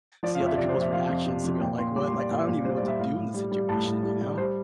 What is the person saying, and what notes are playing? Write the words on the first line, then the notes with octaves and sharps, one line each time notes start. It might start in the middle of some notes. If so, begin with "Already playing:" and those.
see other people's reactions to be all like, "What?" like, I don't even know what to do in this situation, you know?
F3 D5
F5
F2
E5
C3 D5
C5
F2
E5
F3 F5
F2
C3
F2
A#2 G5
A#2 C6
G3 D6
C6
G3
D5
A#2
A#2
G3 C5
D5
G3
E5
A2 F5
A2
G3
G3
A2 A5
A2
G3
G3
G3 C5